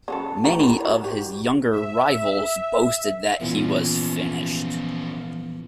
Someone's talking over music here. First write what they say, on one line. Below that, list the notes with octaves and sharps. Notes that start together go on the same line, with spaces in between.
Many of his younger rivals boasted that he was finished.
C#3 F#3 A4
A3 G4 A#5
E4 A#4
F#4
G4
E5
A#2 E3 F3 B3 C#4